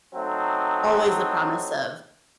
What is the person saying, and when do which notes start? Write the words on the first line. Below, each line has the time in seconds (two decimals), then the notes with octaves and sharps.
always the promise of
0.15 F#3 A3 C4 D#4